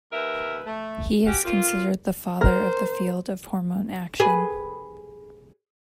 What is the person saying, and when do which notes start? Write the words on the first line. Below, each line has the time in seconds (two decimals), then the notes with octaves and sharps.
He is considered the father of the field of hormone action.
0.13 D#2 A#4 B4 E5
0.66 A3
1.26 C#4 F#4 G4
1.44 F2 A#3 F4
2.41 A#4 C5
4.20 G#4 B4